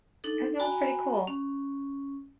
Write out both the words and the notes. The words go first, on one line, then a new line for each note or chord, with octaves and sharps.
and that was pretty cool.
D4 D#4 A4
F#4 G5 G#5 A#5 B5
C#4